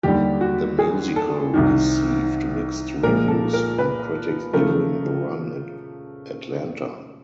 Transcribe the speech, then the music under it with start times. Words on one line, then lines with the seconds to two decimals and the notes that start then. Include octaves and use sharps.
The musical received mixed reviews from critics during the run in Atlanta.
0.03 D#2 D3 G3 G4
0.41 F#4
0.79 G#4
1.16 A4
1.54 C2 C3 D#3
3.03 A#2 F3 G#3 A#4
3.28 A4
3.53 A#4
3.78 B4
4.53 C#3 F3 A3 A#4